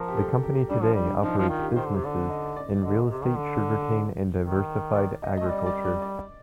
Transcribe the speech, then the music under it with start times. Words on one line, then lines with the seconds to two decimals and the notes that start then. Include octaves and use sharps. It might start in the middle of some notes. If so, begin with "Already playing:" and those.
The company today operates businesses in real estate, sugarcane, and diversified agriculture.
Already playing: F3 A#4
0.08 G4
0.17 A4
0.43 G4
0.69 G3 D4
0.82 F3
0.94 G3
1.05 D4
1.23 F3 D#4
1.38 F3 F4
1.49 D#3
1.59 G4
1.76 D#3 C5
1.86 D3
1.95 C3
2.03 D3 D5
2.30 D#5
2.56 D5
2.82 D3 D#5
3.09 C3
3.25 D#3
3.36 D3
4.43 D#3
4.96 D5
5.22 D#5
5.37 A3 D#5
5.49 G3 D5
5.66 D5
5.84 D5
6.02 D5